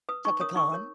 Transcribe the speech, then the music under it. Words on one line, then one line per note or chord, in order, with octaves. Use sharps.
Chaka Khan.
B4 D#6
D#4 C#6
A#4 C#5 D#6
D#4 C#6
A#4 C#5